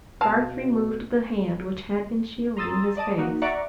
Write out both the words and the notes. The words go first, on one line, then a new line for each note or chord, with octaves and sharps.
Garth removed the hand which had been shielding his face.
B2 F5 A5
A#5 C6 D#6 E6 A6
D5 D#5 A5 D#6
A#3 D#4 F#4
D5 E5 F#5 A#5 C#6 D6